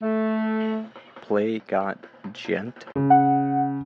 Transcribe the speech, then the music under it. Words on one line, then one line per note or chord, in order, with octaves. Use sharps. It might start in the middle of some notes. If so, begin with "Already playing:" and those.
Play Got Djent?
A3
C#3
F#5